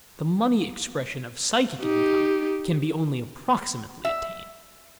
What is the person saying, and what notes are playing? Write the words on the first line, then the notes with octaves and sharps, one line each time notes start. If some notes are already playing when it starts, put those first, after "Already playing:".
The money expression of psychic income can be only approximately attained.
D#4 G4
E5